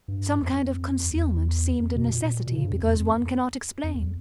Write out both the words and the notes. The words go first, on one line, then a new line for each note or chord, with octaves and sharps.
Some kind of concealment seemed a necessity because one cannot explain.
G2
F2
E2
F2
B2
A#2
B2
C#3
G2
F2
E2
F2
F2
E2